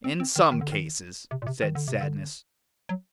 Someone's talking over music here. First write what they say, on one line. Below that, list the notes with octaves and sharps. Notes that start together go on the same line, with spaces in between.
"In some cases," said Sadness.
C4
C4
D#3
D#3
D3
D#3
C3
A#2
C3
D#3
D3
C3
D3
F#3